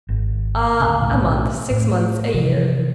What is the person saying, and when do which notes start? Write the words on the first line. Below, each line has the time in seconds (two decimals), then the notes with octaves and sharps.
"Ah, a month--six months--a year."
0.09 G#1
0.80 D2 A#2 C#3
1.02 B1 A2 D#3
1.71 A2
2.34 C3 E3 F3